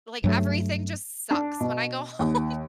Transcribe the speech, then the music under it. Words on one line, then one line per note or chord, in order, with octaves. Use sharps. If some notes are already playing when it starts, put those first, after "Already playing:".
like, everything just sucks when I go home,
G2 F#3 A3
D4
B2
D#2